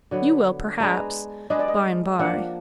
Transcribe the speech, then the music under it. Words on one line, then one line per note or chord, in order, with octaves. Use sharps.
You will, perhaps--bye and bye.
D3 F#3 B3
G#3 D4 G#4 B4 A#5
G#3 D4 G#4 B4 D#5
D5
D#5
F3 A#3 D4 F#5